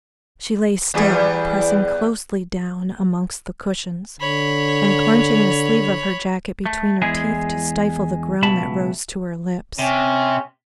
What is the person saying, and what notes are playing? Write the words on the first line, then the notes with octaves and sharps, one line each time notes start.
She lay still, pressing closely down amongst the cushions, and clenching the sleeve of her jacket between her teeth to stifle the groan that rose to her lips.
E2 G3 G#4
D3 C#5 B5
A3
E2 G#3 E4 G#4
C#2 B2 E5 A5 B5
C3 C#4